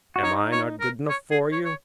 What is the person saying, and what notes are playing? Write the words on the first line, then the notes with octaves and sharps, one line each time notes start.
Am I not good enough for you?'
F#4
D#4 C#5
C#5
A#4
C#5
G#4
C#5
C#5